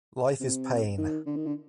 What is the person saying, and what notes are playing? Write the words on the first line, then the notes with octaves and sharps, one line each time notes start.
Life is pain.
C3
D#3
D3
D#3
D3